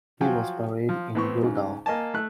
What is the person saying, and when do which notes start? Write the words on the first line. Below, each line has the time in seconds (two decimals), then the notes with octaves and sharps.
He was buried in Wildau.
0.21 F3 F#3 F4 F#4 G5 G#5
0.89 F3
1.15 A2 E3 B3 C4 C#6
1.43 G#2 C#3
1.86 A#3 D#5 G#5 A5
2.14 A3 F#6